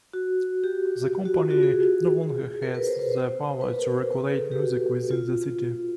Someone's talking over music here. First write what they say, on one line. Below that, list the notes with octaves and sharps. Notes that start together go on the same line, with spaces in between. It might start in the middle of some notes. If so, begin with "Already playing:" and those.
The Company no longer has the power to regulate music within the City.
F#4
G4
G4
F#4
F4
F#4
G#4
A#4
B4
C5
B4
C5
B4
A#4
C5
B4
A4
G#4
G4
F#4
F4